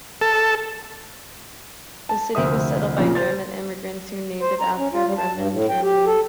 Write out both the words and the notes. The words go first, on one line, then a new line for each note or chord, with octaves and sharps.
The city was settled by German immigrants who named it after Bremen, Germany.
A4
A5
F1 D2 C5 E5 D#6
F2 A#2 C#3 F3
C5 A6
C5
A#5
C#4
F4
G3
A5
G2
A2
G5
G4
A4